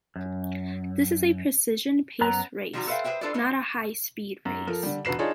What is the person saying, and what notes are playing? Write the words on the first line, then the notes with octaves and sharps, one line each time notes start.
This is a precision pace race, not a high speed race.
F#2
F#2 B3 A#5
D#3 F3 G3 F4 F#4 A#5
A4 B4 C5 E5 F5 G5
G#4 B4 C5 E5 G5
D4 F4 A4 B4 C5 D5
A3 B4 C5
F#2
F3 A4 A#4
D3 G3
E1 F#4 B4 C7 E7
D4 D#4 F4 G#4 C#5